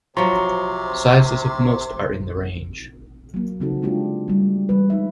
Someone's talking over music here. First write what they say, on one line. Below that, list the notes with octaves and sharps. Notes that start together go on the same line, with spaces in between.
Sizes of most are in the range.
C3 F3 F#3 C5 A#5 C6 C#6
F#3 A#3
C#3 F3 C4 D#4 F#4 A4
G#3 A#3 D4 F4 G4
G3 A3
E3 G3 B4
G3 G#3 D#4 E5